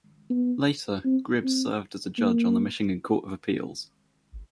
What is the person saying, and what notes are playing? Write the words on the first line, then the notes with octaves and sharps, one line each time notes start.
Later, Gribbs served as a judge on the Michigan Court of Appeals.
B3
C4
C4
A#3